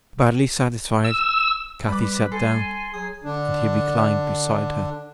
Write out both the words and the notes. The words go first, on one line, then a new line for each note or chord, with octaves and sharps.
Badly satisfied, Cathy sat down, and he reclined beside her.
E6
G3 B4 B5 D6
A4 G#5 C6
F#3 G#4 G#5 D#6
D3 D4